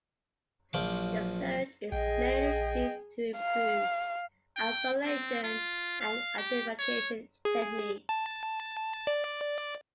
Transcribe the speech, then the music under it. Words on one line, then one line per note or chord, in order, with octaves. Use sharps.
The surge is mainly due to improved isolation and identification technique.
A#1 F3 F#3 D6
A#1 G#4 D#5 G5
F5
G5
C4
F4
F5
G4
C#5
G#4
A5
D5